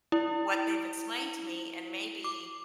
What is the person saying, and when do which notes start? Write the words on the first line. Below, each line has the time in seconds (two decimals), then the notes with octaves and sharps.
what they've explained to me, and maybe,
0.12 E4
2.24 D6